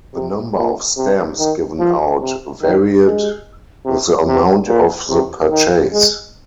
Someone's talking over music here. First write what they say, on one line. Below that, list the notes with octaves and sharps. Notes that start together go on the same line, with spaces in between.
The number of stamps given out varied with the amount of the purchase.
C3
A#2
C3
D#3
F3
C3
D#3
G#3
C3
C3
A#2
C3
D#3
G#3